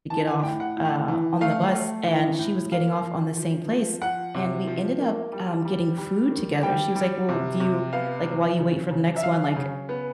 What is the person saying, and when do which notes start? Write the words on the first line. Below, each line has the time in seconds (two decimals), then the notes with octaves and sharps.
to get off, uh, on the bus, and she was getting off on the same place, and we ended up, um, getting food together, she was like, "Well, do you Like, while you wait for the next one, like,
0.10 E3 A5
0.27 G#5
0.43 A2 G5
0.60 F#5
0.77 A2
1.08 E3
1.41 A3 F5
1.74 A3
2.07 E3
2.38 A2
2.72 A#3 F5
3.04 F3
3.37 F3
3.70 F3
4.02 F3 F#5
4.34 C3
4.67 F3
4.99 A#3
5.32 G3
5.65 G3
5.98 G3
6.30 D#3
6.63 G3 G5
6.95 G3
7.29 C3
7.60 C3
7.93 B3 F5
8.26 F#3
8.58 C#3
8.91 C#3
9.16 E5
9.23 F#3 F5
9.56 C#3
9.89 B3